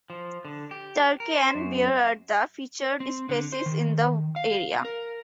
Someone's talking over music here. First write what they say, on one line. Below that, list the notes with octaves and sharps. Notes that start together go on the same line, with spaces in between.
Turkey and bear are the featured species in the area.
F3
D3
G4
A#4
C5
F#2
C4
D3
C5
D#3
F5
A#4